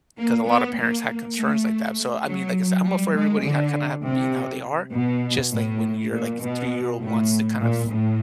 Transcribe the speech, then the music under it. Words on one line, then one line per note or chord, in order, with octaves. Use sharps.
'cause a lotta parents had concerns like that. So, I mean, like I said, I'm up for everybody ha kinda have being how they are, just, like, when your, like, three-year-old wants to kind of
A#3
B3
A#3
A3
F#3
G3
G#3
D3
C3
B2
A2
A#2
B2
A2
A#2
A2